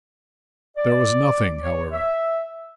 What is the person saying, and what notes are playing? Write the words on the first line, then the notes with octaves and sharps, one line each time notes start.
There was nothing, however.
D5
C#5
E5